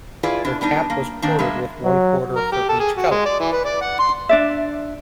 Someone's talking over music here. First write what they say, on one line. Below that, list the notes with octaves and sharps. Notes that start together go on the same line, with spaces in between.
Their cap was quartered with one quarter for each color.
E4 F4 G#4 B4 D5
B2 D4
G3 B3 D4 D#4
A#3
D#3 A#3 C4 D4
G3 G#3 A#3 E5
F#3
A#4
G4
A4
G#4
F#4
G#3
D5
E3
B4
D5
F#5
C6
D4 D5 E5